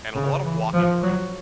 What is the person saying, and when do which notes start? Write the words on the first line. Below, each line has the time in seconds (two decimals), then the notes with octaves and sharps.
and a lot of walking room.
0.15 C#3
0.44 E3
0.73 F3
1.03 F#3